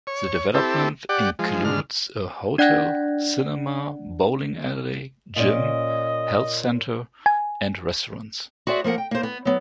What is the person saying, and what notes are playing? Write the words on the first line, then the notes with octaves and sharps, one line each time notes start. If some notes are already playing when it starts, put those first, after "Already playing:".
The development includes a hotel, cinema, bowling alley, gym, health centre and restaurants.
C#5
C4 E4 G4 A4
G4 D5 F#5
F3 G#3
G#2 D3 F6
D4 D5 F#5 F#6 G#6 A#6
A#2 C#4 D5 D#5
G#5
F#4 G#4 C5 D5 E5
F3 A#3 A#4 F#5
G5
A#3 C5
B3
F#3 B3